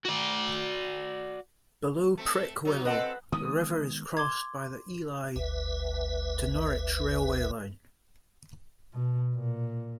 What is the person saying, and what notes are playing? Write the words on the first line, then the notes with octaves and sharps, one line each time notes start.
Below Prickwillow, the river is crossed by the Ely to Norwich railway line.
F#4 D5
A3 C4
F#3 D#4
C4 A4 B4 D#5 F#5
D#3 G#3 B3 D#6
C6 D6 G#6
G1 D2 B4 E5
B2
A#2